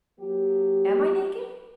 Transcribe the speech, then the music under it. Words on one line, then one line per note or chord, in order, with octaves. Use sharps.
'Am I naked?
F#3 A#3 G4